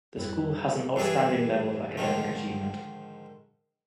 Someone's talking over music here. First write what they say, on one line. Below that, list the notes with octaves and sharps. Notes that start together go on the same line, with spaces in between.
The school has an outstanding level of academic achievement.
F2 G3 E4 B4
G2 E3 D4 G#4 E5
G#2 D3 D#3 F3